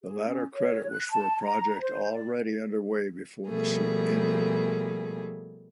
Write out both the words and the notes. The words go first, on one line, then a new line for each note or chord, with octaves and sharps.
The latter credit was for a project already underway before the suit ended.
G#4
C#4
C#5
F#6
A5
A#5
C5
D5
B2 F3 G3 A3 A#3 G#4